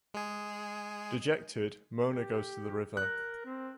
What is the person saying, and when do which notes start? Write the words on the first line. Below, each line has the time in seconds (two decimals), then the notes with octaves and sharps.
Dejected, Mona goes to the river.
0.14 G#3 G#4
2.02 G4
2.97 A#4 F#6
3.45 C4